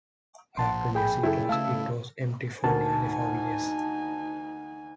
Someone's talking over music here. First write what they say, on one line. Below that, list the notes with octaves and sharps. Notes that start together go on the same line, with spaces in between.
After Jazzy closed, it was empty for nearly five years.
A#1 F#5 A5 C6
G#4 G5 B5
F#2 C#3 E4 A4
C#3 A3 F5 A5 E6
D2 D#4 A#4 G#5 A5